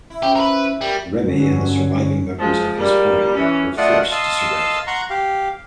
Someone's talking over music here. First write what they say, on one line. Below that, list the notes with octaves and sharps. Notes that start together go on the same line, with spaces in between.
Remey and the surviving members of his party were forced to surrender.
E4
C#4 G4 C5
A#4 B4
B2 G3 A#4
G2 D3 F#3 C#4
F3 G#3
G3 A#3
E3 C#4
A3 D4 F4 D5 D#5 F#5
D#5 F5 A5 C6 E6
F#5 A#5 C6 C#6
G4 F5